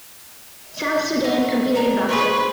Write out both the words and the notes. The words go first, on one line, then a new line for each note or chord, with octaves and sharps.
South Sudan competed in boxing.
A3 D#4
D4 A#5
G#4 B4 C5 C#6